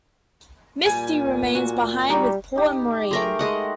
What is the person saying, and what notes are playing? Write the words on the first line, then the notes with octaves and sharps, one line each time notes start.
Misty remains behind with Paul and Maureen.
A#2 G3 G#5
F#4
G3 D#4 F#4 G4
D#4 G4
A3 G#4 A#4 G5 C6
G#3 D#5 F#5